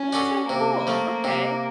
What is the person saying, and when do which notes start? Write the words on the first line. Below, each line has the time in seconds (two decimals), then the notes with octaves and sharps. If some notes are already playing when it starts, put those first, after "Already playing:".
That's so cool, okay.
Already playing: C#4
0.13 D4 F#4 A4
0.49 C3 A#3
0.87 F3 A3
1.24 C3